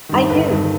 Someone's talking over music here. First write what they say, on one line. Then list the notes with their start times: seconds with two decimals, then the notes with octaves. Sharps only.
I do.
0.09 G2 D#3
0.30 G1 B4
0.51 G2 D#3